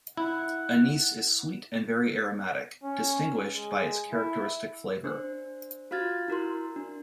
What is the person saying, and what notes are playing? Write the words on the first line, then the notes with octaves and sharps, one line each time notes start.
Anise is sweet and very aromatic, distinguished by its characteristic flavor.
E4 F#5
C#4
G#3
E4
D4 C5
F4 F#4 F5 F6 G#6 A6
E4 F#4 A#4 C6
D4